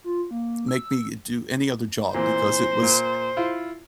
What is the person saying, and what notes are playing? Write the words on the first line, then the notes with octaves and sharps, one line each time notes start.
make me do any other job because it was,
F4
A#3
E6
A#2 E3 C4 C5
A#2
E4 F4